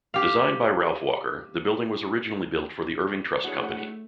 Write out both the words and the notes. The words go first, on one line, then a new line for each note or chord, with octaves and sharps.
Designed by Ralph Walker, the building was originally built for the Irving Trust Company.
G4 F5
A3 D4 E4 F#4 G#4 C#5 F#5